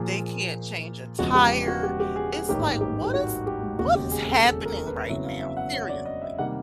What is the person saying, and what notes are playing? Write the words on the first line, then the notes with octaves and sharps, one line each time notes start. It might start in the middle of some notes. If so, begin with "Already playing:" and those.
They can't change a tire. It's like, what is what is happening right now, seriously?
Already playing: A#2 F3 A#3 G#4
E1 E2 C#3 F3 G#3 F#4
G4
F#4
G4
G4
G#4
G#4
A1 G#2 D#3 F#3 A#3 G4
G4
G4
F#4
G4
E1 D#2 C#3 F#4
G4
G#4
A4
A4
A#4
B4
F2 C#3 F#3 B3 E4 E5
F5
E5
F#5
C#5
D5
D#5
E5
C3 D#3 G3 A#3 F#5